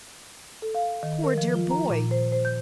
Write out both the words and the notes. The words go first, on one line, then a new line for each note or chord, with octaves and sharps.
Poor dear boy!
A4
F5
D#3
A#4
F3
F4
A#5
A#2
C5
C5
G6